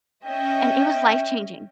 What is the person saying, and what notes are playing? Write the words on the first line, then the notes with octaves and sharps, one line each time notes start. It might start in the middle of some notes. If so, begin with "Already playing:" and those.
and it was life-changing.
C#4 D#5 E5 G5